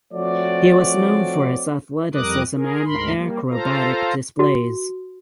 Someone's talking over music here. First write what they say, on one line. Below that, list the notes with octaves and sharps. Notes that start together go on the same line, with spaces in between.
He was known for his athleticism and acrobatic displays.
F3 A3 C4 F#4 C#5 D5
F2 G3 A#4 D6 D#6 F#6
G#4 A#4
D2 G#2 A#4 B5 C6
G3 A#3
F4 A4 C5 F5 A#5
F#4